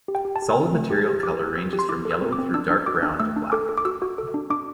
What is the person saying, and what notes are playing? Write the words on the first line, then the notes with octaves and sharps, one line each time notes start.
Solid material color ranges from yellow through dark-brown to black.
G4
G5
G4
A5
G4
C4
A3
G4
G4
G4 D6
G4
C4 E6
G4
C6
E4 D6
A4
E6
C4
D6
C4
D4 E6
D4
F#4 D6
D4
A3 E6
D4
A4 D6
A4
D6
F#4 E6
F#4
A4
D4
D4 D6